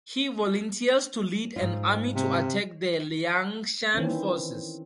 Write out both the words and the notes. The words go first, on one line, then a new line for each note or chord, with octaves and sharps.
He volunteers to lead an army to attack the Liangshan forces.
G#2 F4
C3
D#3 E3 C4 C#4